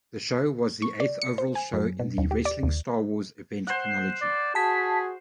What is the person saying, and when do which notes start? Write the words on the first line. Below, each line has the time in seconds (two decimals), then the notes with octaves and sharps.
The show was the eighth overall show in the "Wrestling Star Wars" event chronology.
0.82 C#6
1.00 D5
1.22 C#7
1.38 C5
1.55 G#5
1.73 F#2
2.00 B2
2.18 D#2
2.31 G4
2.45 D5
2.63 D#2
3.67 C5 F#5
4.22 D5
4.55 F#4 G#4 A5 B6